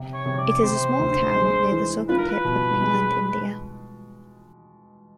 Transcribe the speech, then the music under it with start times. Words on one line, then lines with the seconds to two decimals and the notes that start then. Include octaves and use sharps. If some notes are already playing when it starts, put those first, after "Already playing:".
It is a small town near the southern tip of mainland India.
Already playing: C3
0.14 C#5
0.26 C3
0.38 D5
0.63 C3 C5
0.99 D2
1.36 G#3
1.72 E3
2.09 F4 B4
2.18 A#4
2.28 B4
2.44 B2
2.81 G#3